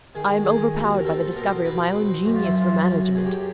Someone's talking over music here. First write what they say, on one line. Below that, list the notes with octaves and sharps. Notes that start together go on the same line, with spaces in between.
I am overpowered by the discovery of my own genius for management.
D#3 G#4
D#3 G#4
D#2 F#4
A#4
C4 A4
B2 A#4
B2 B4
C4
F#2 F#4
F4
E4
F#2 F4
F#2 F#4
F#4
F#2 G#4
G4